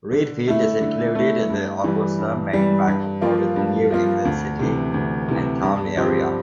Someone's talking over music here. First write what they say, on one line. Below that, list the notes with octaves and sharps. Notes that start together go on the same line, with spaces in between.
Readfield is included in the Augusta, Maine micropolitan New England City and Town Area.
D3
A3 E4
D3
A3 E4
G2
E3 G3
G2
E3 G3
G2
F3 A#3 F4
G2
F3 A#3 F4
D2
C3 E3
D2
C3 E3
G2
D3 F3 C4 G4